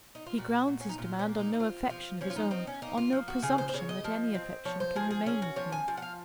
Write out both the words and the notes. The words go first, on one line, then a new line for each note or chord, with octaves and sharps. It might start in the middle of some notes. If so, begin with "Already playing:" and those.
He grounds his demand on no affection of his own, on no presumption that any affection can remain with me.
D#4
F4
A#2 F#4
A#2
C#4
D#4
A#2 F4
C#4
A#3
D#4
D#4
C4 F4
F3 F4
F3 C#4
F4
D#4
C4 D#4
C#4
A#3 D#4
F4
F3
F#4
C#3 G#4
C5
C5
C#3 C#5
D#5
F3
C4
F3 C#5
C5
F3 G#4
G#4
C#4 G#4
F#4
F3 C#5
G#5
F3
F#5
F5